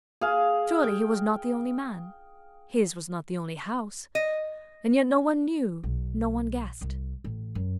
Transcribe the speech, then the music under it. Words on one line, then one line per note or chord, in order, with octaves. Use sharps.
Surely he was not the only man; his was not the only house . . . and yet no one knew--no one guessed.
G#4 F5
G5
D#5
B1
C2
A1
F#2